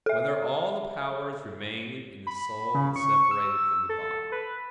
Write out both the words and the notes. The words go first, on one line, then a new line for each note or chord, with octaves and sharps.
Whether All the Powers Remain in the Soul When Separated from the Body?
A4 E5
B5
C#3
C#6
E6
A4
B4